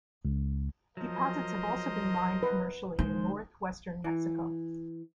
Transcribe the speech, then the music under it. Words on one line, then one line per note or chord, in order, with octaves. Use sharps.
Deposits have also been mined commercially in North Western Mexico.
C#2
F3 F#3 A#4 C5 D#5
B4
D#3 G#3 C5
E3